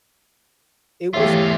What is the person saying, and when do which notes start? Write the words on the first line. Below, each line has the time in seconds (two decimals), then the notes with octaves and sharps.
It was
1.14 E2 E3 A3 F4 G4 C#5 E5